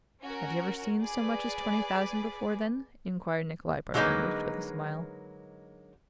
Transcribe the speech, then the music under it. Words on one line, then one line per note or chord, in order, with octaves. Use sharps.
"Have you ever seen so much as twenty thousand before, then?" inquired Nikolay Parfenovitch, with a smile.
C#4 F#4 A#4
G#4 B4 D5
D3 F#3 G#3 A#3 D#4 B4